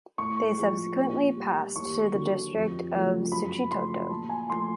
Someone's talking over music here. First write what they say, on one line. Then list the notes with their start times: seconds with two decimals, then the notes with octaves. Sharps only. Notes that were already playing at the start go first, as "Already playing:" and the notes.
They subsequently passed to the district of Suchitoto.
0.18 A2 C#6
0.57 F3 G#3
0.96 A#2
1.36 G3
1.75 D#2 C#6
2.14 D3 F#3
2.53 F2
2.93 C#3 F3 A3
3.32 F#2 B5
3.71 C#3 F3 A3 C6
4.10 A#2 A5
4.29 G#5
4.50 F3 A3 C6